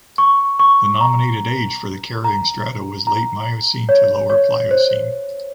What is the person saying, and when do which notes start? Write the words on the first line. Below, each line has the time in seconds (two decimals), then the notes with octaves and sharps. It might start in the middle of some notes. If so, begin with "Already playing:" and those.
The nominated age for the carrying strata was late Miocene to lower Pliocene.
0.18 C#6
0.59 C#6
1.01 A#5
2.24 A#5
3.07 A#5
3.89 C#5
4.30 C#5
4.71 C5